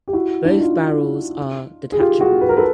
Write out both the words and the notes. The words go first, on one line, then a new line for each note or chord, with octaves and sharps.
Both barrels are detachable.
G4
E4 F#4
D4 E4
D#4 F4
G#4
F4 G4
F#4 G#4
B4
A#4
A4 B4